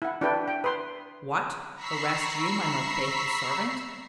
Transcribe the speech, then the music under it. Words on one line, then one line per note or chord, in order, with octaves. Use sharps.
"What! arrest you, my most faithful servant?"
E4 F#5
D4 E4 F#4 B4 G5
G5
B4 C6
A#5 B5 C#6 E6 B6 C7